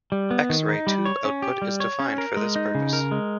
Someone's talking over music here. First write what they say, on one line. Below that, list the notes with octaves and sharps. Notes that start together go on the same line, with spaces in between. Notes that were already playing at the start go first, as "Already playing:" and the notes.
X-ray tube output is defined for this purpose.
G3
B3
D#3
D#4
G3
C#5
C#4
G4
G3
C#5
C#4
A#4
G#3
D#4
C#3
A#4
G#3